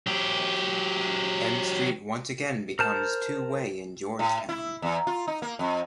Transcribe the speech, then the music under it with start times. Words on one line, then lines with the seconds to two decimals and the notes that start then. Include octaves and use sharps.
M Street once again becomes two-way in Georgetown.
0.07 F#3 G4
2.79 A#4 C5 A5
4.19 A2
4.49 E4
4.82 E2
5.07 F4
5.27 D#4
5.42 A#3
5.59 F2